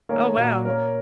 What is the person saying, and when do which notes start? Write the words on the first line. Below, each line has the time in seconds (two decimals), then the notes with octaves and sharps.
Oh, wow.
0.09 D#3 A#3 C#4 G#4 C#5
0.37 A#2 A#3 C#4 F#4 A#4
0.65 A#3 C#4 A#4